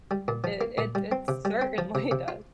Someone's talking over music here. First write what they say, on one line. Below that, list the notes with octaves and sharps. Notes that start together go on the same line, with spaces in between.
It it it certainly does.
G3
A#2
F3
A#3
A#2
G3
C4
C3
G3
C4
F3
C3
C3
F4